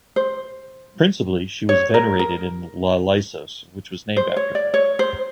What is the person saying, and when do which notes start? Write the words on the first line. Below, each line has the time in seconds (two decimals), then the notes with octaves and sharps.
Principally, she was venerated in Ialysos, which was named after her.
0.16 C5
1.69 C#5
1.94 A#4
2.19 A#4
4.17 C5
4.37 C#5
4.55 D5
4.74 C#5
4.99 C5